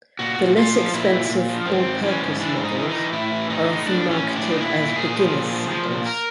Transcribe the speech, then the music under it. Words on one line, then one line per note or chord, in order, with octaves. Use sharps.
The less-expensive "all-purpose" models are often marketed as beginner's saddles.
A#2 F#4
A#2
A#2 F4
F3
A#2 E4
A#2
A#2
F3
G#2 C4
G#2
E3 C#4
G#2
E3 D4
G#2
D#4
E3
D#4
E3
A2 E4
E3
A2 D#4
A2
A2 D4
A2
C#4
A2
D4
E3
D#4
A#2 E4
A#2
A#2 G#4
F3
A#2
F3
F3
A#2
A#4